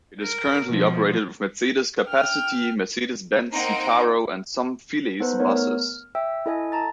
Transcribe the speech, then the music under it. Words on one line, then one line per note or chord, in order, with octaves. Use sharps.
It is currently operated with Mercedes Capacity, Mercedes-Benz Citaro, and some Phileas buses.
A#4
B2 F3
G5 F6
A#3 C4 D#4 C5 F#5 D7
B3 D#4 A4 B4 C5
A3 B3 D#4 A#4 C#5
F6
E5 G5 E6
E4 A4 D#5 G#5
A5 A#5 A6